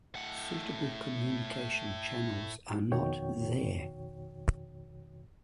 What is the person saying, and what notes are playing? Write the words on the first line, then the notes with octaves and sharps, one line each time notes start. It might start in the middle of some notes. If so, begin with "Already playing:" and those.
Suitable communication channels are not there.
A2 F#5
F2 B2 D#3 F#4 C#5 G5